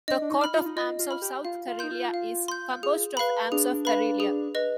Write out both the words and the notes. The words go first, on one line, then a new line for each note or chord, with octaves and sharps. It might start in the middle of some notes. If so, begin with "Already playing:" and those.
The coat of arms of South Karelia is composed of the arms of Karelia.
D4 D#5
D4
D#4
B5 F6
F4
D#4
F4 D#5
F4
B5 F6
G4
F4 F5
F4
D#4 C6 G6
F4
F5
C6 G6
G#4
B4 F5 B5
D4 G#4
B4 F5 B5
G#4
B4 D#5